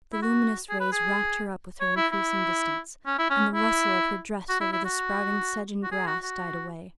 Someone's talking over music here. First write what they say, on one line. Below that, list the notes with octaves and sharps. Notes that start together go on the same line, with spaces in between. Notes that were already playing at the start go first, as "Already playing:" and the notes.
The luminous rays wrapped her up with her increasing distance, and the rustle of her dress over the sprouting sedge and grass died away.
E4
F#4
G#4
B4
G#4
C#5
E4
E4
C#4
E4
C#4
E4
F#4
E4
E4
F#4
F#4
G#4
F#4
F#4